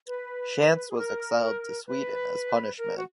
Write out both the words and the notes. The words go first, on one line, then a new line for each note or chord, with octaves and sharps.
Schantz was exiled to Sweden as punishment.
B4
G#4
A#4
B4
A#4
F#4